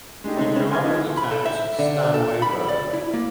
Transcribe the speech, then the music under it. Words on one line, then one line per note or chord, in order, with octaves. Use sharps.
He grew up in the town's Stanway Road.
G#3 A3 D#4 G4
G#3 C4 D#4 A4 C#5 E5
C4 C#4 B4 C#5
D#5 G#5 C6 F6 G#6 A6
E3 F3 B3 D#4 E4
B5
A4
E5
D3
A4
B5
D5
E4
A#3